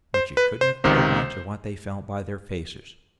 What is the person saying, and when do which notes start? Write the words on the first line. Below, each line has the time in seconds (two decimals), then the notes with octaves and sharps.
But you couldn't have told much of what they felt by their faces.
0.14 C5
0.37 B4
0.61 C5
0.84 C#2 C3 D#3 C5